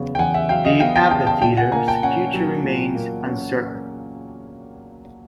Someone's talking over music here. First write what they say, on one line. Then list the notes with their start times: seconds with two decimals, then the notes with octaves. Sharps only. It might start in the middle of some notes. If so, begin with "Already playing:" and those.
The amphitheatre's future remains uncertain.
Already playing: E2 C#3 F#3 B3
0.15 G5
0.19 E2 F#5 G#5
0.34 E5 F#5
0.49 F#3 F5 G5
0.65 D#5 F5
0.80 B3 F5 G5
0.95 G5 A5
1.11 C#3 G5 A5
1.27 G5 A5
1.42 A#2 G5 A5
1.57 F#5 G#5
1.72 A#3 G#5 A#5
1.88 G5 A5
2.03 C#4 F#5 G#5
2.34 F#3
2.64 A#2
2.95 A#3
3.26 C#4